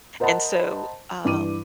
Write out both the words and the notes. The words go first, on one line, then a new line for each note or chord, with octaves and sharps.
and so, um,
A#4 C5 D#5 F#5 A5 B5
G2 E3 E4 D6 D#7